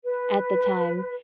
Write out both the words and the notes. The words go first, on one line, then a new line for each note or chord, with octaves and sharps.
at the time,
B4